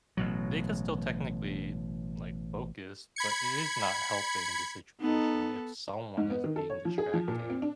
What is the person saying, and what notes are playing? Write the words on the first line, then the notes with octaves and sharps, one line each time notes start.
they can still technically, like, focus, but it is not helping the situation if someone is being distracting.
A1 B2 F#3
B5 G#6 C#7
B3 D#4 A4
G#2
B3
D#3
A4
C#5
F3
G#4
F3
A#2
C4
D4